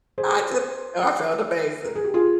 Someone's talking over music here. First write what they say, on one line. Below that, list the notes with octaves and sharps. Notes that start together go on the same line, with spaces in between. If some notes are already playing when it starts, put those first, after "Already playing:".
I just I felt amazing.
G#4 C5
A#4
G#4
G4
F4 G#4